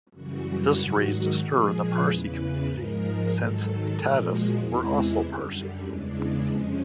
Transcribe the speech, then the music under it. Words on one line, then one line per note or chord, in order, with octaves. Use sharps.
This raised a stir in the Parsi community since the Tatas were also Parsi.
F#2 C#3 E3 G3 F#4
G#2 D#3 F#3 F#4
A#2 F3 G#3 G#4
E2 C#3 E3 B4
G#2 F3 G#3 A#4
G#2 D#3 F#3 A4
A#2 F3 G#3 G#4
F#4
E2 C3 E3 G#3 E4
F#2 D3 G3
E2 C#3 E3 G#3 D4
F2 C3 F3 G#3 C#4